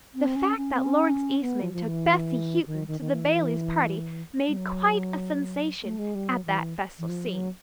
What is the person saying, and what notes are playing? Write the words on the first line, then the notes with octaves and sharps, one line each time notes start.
The fact that Lawrence Eastman took Bessy Houghton to the Baileys' party made quite a sensation at that festal scene.
C4
C#4
C#4
C4
C#4
B3
F3
F3
E3
D#3
D#3
D#3
E3
G3
F#3
A3
G#3
G3
F#3
E3
E3
F3
F#3